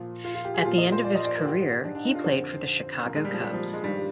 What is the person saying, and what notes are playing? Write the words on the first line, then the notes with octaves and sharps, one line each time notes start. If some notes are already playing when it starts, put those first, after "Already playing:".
At the end of his career, he played for the Chicago Cubs.
Already playing: A#2 F3
F4
F4
G4
G#4
A#2 F3 F4
D#5
C5
D5
D#5
D5
A#4
G#2 D#3 G4
D4
D4
D#4
F4
F2 D3 F3 C4
A#2 F3 A#3
G#3
G3
F3
G3
F3
G#3
G2 D#3 G3